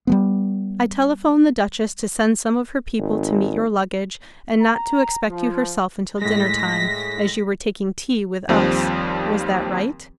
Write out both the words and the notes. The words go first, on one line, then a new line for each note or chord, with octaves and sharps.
I telephoned the duchess to send some of her people to meet your luggage, and not to expect you herself until dinner time, as you were taking tea with us. Was that right?
G3 G#3 B3
G#1
A#5
F3
A2 G#3 A#6 B6
D#2 F3 G3 C4